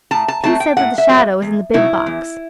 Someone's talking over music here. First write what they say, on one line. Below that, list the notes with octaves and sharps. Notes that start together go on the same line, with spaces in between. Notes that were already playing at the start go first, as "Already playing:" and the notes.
Tink said that the shadow was in the big box.
A2 A5
A5
F#3 A3 C4 A5
G5
A2 F#5
E5
F#3 A3 C4
E2
B2 F#3 B3 D#4 E4
E2